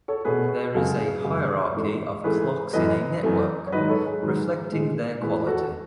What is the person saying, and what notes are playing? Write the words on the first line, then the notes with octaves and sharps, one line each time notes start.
There is a hierarchy of clocks in a network, reflecting their quality.
A4 C#5
B2 A3 G#4 B4
F#2 C#3 G#3 F#4 A4
G#4 B4
F#2 C#3 G#3
G#2 E3 A3
G#2 E3 A3 G#4 B4
F#2 E3 A3 B4 D#5
F#2 E3 A3
C#5
G#2 D#3 F#3 B4 D#5
A4 C#5
G#4 B4
G#2 D#3 F#3
A2 E3 G#3
A2 E3 G#3 G#4 B4
F#4 A4